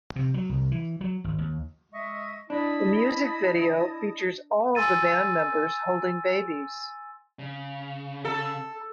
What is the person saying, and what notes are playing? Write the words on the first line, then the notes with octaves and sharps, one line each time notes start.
The music video features all of the band members holding babies.
C3
F#3
C2
E3
F#3
G#1
D#2
G#3 D#5 E5 C#6
D4 E4 D#5 A5 B5 D#6
G#5 C6 E6 A6 D#7
C#3
A4